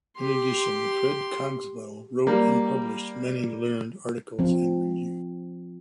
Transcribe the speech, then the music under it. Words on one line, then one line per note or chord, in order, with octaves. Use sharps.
In addition, Fred Cogswell wrote and published many learned articles and reviews.
G4 C6
G3 A#3
F3 C4